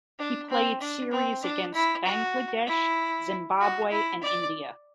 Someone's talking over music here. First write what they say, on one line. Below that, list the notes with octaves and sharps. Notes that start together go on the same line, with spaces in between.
He played series against Bangladesh, Zimbabwe and India.
D4
C4
D4
C4
D4
E4
F#4
E4
F#4
E4
D5